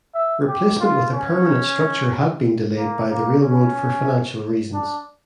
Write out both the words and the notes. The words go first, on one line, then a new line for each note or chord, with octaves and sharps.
Replacement with a permanent structure had been delayed by the railroad for financial reasons.
E5
G4
F4
C#4
A#3
A#3
C#4
D4